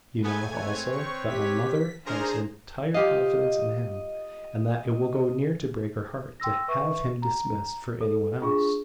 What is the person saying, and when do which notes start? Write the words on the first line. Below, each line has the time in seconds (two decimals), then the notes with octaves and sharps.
You know, also, that my mother has entire confidence in him, and that it will go near to break her heart to have him dismissed for any one else.
0.24 A3 B3 G#4 G#5 G#6
0.54 C4 B4 C#5
0.92 C5 C#6
1.30 G4 B6
2.06 C#4 D4 F4 G#4 A#4 C5 A#5
2.94 F4 G4 D#5 F5
6.40 G5 C6 E6 A#6
6.68 B4 E5 C#6
7.22 A#5
8.01 A4
8.41 D4 F4 G#4 C#6